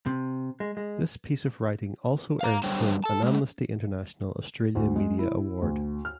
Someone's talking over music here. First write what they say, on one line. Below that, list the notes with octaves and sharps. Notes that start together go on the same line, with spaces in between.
This piece of writing also earnt Hill an Amnesty International Australia Media Award.
C3
G#3
G#3
F5 A#5
F#2 D3 G3 C5 C#5 G5
A4 A5
A2 G#3
D2
G#3
E4
D2
F6